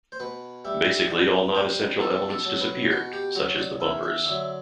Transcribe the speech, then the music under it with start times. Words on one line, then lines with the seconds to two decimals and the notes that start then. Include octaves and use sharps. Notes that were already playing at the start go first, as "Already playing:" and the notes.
Basically all non-essential elements disappeared, such as the bumpers.
0.12 C5
0.20 B2 B4
0.65 G3 E5
1.10 B2 D5
1.55 G3 C5
2.00 B2 A4
2.30 A4
2.45 F#3
2.60 B4
2.90 B2 F#4
3.13 G4
3.35 F#3 F#4
3.58 D5
3.80 E2 E5
4.03 E5
4.26 D3 F#3 E5